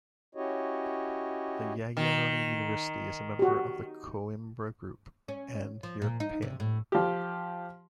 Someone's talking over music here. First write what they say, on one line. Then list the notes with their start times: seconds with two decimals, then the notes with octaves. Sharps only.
The Jagiellonian University is a member of the Coimbra Group and Europaeum.
0.35 C#4 E4 F#4 G4 C#5 D#5
1.97 D#3
3.39 F#4 G4
5.28 C#4
5.83 F3
6.02 A#2
6.20 D#4
6.42 C3
6.60 A2
6.92 F3 G4